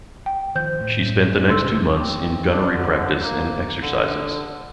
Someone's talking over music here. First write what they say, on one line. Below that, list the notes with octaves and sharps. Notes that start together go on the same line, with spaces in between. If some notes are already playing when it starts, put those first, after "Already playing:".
She spent the next two months in gunnery practice and exercises.
G5
D#3 F3 C5 G6
A2
C#2 A2 A4 C6 E6
C4
D4
D3
D3
A#3
D3